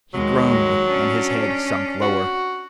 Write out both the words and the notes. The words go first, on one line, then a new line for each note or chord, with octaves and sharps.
He groaned and his head sunk lower.
D#2 F#3 G#3
C#4 D4
F#4